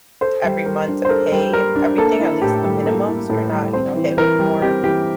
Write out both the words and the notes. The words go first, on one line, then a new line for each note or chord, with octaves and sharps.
every month to pay everything, at least the minimum, so you're not, you know, hit with more,
A4 C5
G3
G3 A#4
D4
C5
A4 A#4
G3
G3 A#4
D4
A#3 A4
E4
A2 G4
G3
A#3 A4
E4
A2 A4
G3
C4 C5
E3
E3 A#4
G3
C4 G4
E3 G4